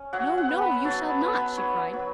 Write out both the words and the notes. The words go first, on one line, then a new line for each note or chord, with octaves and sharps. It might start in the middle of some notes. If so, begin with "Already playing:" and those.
"No, no; you shall not!" she cried.
Already playing: C#4
F#3 F#5
F#5
B3
B5
F#3 A5
B5
B3
B5
F#3 C#5
F#3